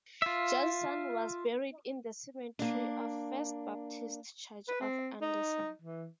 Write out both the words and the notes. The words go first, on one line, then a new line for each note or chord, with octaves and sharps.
Johnson was buried in the cemetery of First Baptist Church of Anderson.
F4 E5
A#3 D4
B4
C4
D#4
E3